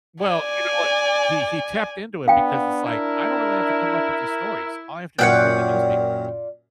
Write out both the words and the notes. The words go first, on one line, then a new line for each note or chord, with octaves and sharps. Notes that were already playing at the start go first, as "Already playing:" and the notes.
Well, you know what? He he tapped into it because it's like, I don't really have to come up with these stories, all I have to do is read the newspaper.
D5 G#5
B3 D4 F5 G5
E4 A#4
F#2 A#2 F4 C#5 D5 F#5 G5